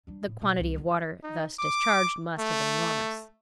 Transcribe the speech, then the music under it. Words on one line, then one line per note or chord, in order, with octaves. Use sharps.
The quantity of water thus discharged must have been enormous.
G3 D4
A2
E2 B2
D#1 C2
E2 D#3
D#4
D6
A3